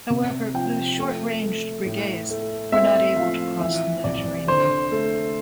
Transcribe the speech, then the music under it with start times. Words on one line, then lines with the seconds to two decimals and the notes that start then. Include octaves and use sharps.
However, the short-ranged Breguets were not able to cross the Mediterranean.
0.10 C3
0.54 F3 G5
0.98 A3
1.42 A3
1.86 A2
2.30 A3
2.72 C4 E5
3.16 F3 F5
3.60 E3 E5
4.04 C2 D5
4.47 D3 C5
4.91 A3